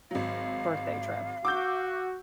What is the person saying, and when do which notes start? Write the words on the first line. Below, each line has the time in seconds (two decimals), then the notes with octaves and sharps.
birthday trip
0.11 G#1 F#3 F5
1.45 F#4 D6 E6 G6